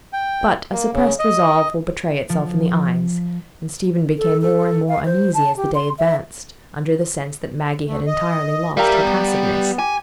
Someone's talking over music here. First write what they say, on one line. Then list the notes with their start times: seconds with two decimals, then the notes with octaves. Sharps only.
But a suppressed resolve will betray itself in the eyes, and Stephen became more and more uneasy as the day advanced, under the sense that Maggie had entirely lost her passiveness.
0.13 G5
0.72 A#3
0.93 C#3
1.19 D#5
2.29 F3
4.18 A4
4.41 A4
4.88 F5
5.05 C5
5.34 A5
5.57 G4
5.75 C6
5.99 E5
7.88 D2 A3
8.07 D#5
8.77 G3 G4 A#4 E5 F5 A#5
9.03 B3
9.25 B3
9.79 G4 G#5